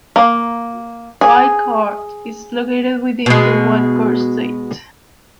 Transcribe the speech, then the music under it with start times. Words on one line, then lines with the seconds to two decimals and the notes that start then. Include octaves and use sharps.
Whitecourt is located within the Whitecourt-Ste.
0.16 A#3
1.21 G#4
3.26 B2 G#3